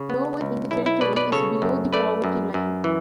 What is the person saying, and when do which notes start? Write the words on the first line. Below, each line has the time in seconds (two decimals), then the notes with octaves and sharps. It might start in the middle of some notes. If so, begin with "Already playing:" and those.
No one in the territory is below the poverty line.
Already playing: C#3
0.10 B3
0.41 C#2
0.71 B1 E4
0.86 E4
1.01 B2 B4 D5
1.16 B4 D5
1.32 C#3 A4 C#5
1.62 F#2
1.93 A3 B4 D5
2.24 F#2
2.54 F#2
2.84 E3